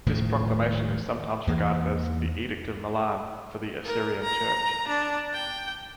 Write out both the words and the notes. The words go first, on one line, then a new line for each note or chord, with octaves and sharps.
This proclamation is sometimes regarded as "the Edict of Milan for the Assyrian Church".
D#1 A2 D#3 F3
E2 E3 A#3
A#4
A#5
D4
G5